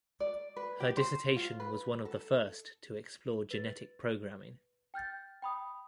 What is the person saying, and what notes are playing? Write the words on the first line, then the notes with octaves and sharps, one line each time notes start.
Her dissertation was one of the first to explore genetic programming.
D5
B4
G4
C5
F4
B4
A4
B4 A6
G5 F6 G6 A6
G5 B5 D#6